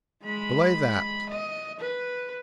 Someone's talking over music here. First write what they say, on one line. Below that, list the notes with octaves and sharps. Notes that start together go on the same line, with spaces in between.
"Belay that!"
G#3 B5
D#5
B4